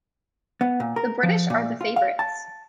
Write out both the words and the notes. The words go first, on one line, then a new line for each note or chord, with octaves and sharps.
The British are the favorites.
B3
A#2
A#4
F3
A#2
F4
F5
A5